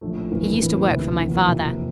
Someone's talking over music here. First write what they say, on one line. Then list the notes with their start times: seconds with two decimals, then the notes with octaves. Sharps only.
He used to work for my father.
0.01 A#1 A2 F3 A3
0.31 G1 F2 E3 A#3 E4
0.60 A1 A2 E3 A#3 E4
0.89 D2 C3 E3
1.19 E2 E3 A#3 F4
1.48 F2 C3 E3 A#3